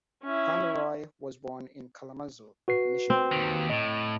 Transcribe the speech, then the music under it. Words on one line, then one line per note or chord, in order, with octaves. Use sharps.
Pomeroy was born in Kalamazoo, Michigan.
C#4 E4
F#4 B4 C7
C4
D#2 D#3
A2 D#5